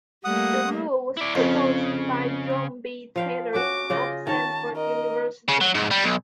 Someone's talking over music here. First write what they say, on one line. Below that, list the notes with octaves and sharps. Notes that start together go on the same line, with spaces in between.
The rule was proposed by John B. Taylor of Stanford University.
G3 A3 A#3 F#5 D#6
E4 D5
F2 C#3
F3 F5 G5
C#4 F#4 D6
C#3 F4 D#5
D#3 C#5 A5
A#4 D#5
C#3
F#3
G#2
G3
B1